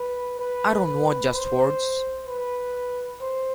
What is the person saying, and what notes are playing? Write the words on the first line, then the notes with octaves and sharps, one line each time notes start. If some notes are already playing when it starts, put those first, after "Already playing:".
I don't want just words.
Already playing: B4
B4
B4
C5
B4
C5